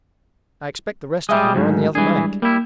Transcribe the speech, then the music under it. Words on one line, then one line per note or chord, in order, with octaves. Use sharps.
I expect the rest of them are on the other bank.
G3 G#3 E5 D#6
D2 G#2 F#3
E3 G3 G#3 D4 G#4
G3 A#3 E4